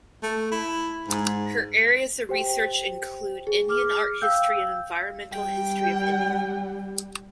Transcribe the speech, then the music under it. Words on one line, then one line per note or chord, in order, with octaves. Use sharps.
Her areas of research include Indian Art History and Environmental History of India.
A3
E4
G#2
G4 C5 G5
G#4
D6 F6
F5 G5 E6 G6
G3 G5